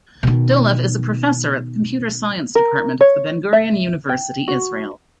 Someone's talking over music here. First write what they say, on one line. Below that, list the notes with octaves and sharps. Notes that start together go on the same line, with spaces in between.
Dolev is a professor at the Computer Science Department of the Ben-Gurion University, Israel.
B2 D#3
A#4
C#5
E5
G5
F#4